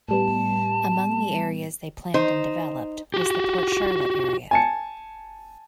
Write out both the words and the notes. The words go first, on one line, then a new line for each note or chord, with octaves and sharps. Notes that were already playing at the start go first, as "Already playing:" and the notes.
Among the areas they planned and developed was the Port Charlotte area.
A2 G3 B3 A5
D#4 C5
F#4 G4
G#5 A5 C#7